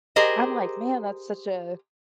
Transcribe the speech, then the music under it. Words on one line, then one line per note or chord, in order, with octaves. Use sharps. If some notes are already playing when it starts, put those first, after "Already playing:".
I'm like, "Man, that's such a"
G4 G#4 A#4 C5 D#5